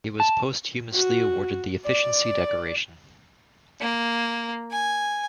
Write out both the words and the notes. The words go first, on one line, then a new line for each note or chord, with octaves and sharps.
He was posthumously awarded the Efficiency Decoration.
A5
F#4
D5
A#3
G#5